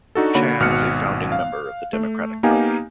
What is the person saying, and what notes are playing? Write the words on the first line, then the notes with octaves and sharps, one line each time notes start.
Chan is a founding member of the Democratic Party.
D4 D#4 F#4 A4
D3 A#3 F#4 C#5 B5
G#1 B2 F6 F#6 C#7
F5
A3
A#3 B3 D#4 G4 F5 G#5